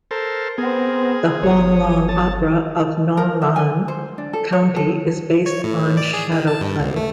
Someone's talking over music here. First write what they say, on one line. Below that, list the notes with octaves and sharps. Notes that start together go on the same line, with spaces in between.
The Huanglong opera of Nong'an County is based on shadow play.
A4 A#4 C5
B3 C4 G#4 A#4
G1 C#5 D#6
A5
A#4
E5
G#5
C5
D4
A4
C#5
A4
C#5
A2
D5
G#4
D#3
A5
G2
C#2
A3